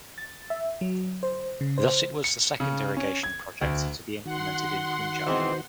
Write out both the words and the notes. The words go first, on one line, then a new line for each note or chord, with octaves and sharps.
Thus it was the second irrigation project to be implemented in Punjab.
A6
E5
F#3
C5
C#3
C5
C#7
C#3
C#4
G#6
D2
D#3 F#4 F#5 C6
B2 E3 G#3 C4 C5